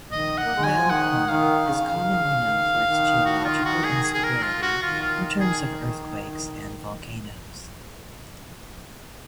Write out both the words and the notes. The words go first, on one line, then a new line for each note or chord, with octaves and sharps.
Lampung is commonly known for its geological instability in terms of earthquakes and volcanoes.
D#3 D#5
F#5
A#3
G#3
F#3 G#5
F3
D#3 F#5
D#3 F5
C#3
D#3
C#3
D#3
D#3
F#4
F4
F#4
G#4
G#4
G#4
A#4
F4
F#4
D#3 F4
F4
G#4